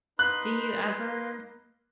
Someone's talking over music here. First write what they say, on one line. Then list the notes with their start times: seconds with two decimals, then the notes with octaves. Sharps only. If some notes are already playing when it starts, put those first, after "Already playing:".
Do you ever
0.19 D#4 B4 C6 F#6